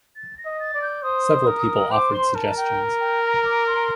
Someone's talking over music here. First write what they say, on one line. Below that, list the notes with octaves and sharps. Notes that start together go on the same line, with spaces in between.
Several people offered suggestions.
A6
A#6
D#5
A6
D5
G6
C5 D#6
A#4
C5 D6
C6
A#4 A5
G5
G5
A#5
D6
C6